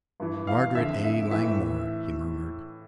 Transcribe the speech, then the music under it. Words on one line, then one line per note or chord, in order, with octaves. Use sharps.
"Margaret A. Langmore," he murmured.
G2 E3
F5
F2 D3 E5
E5
A2 E3 E5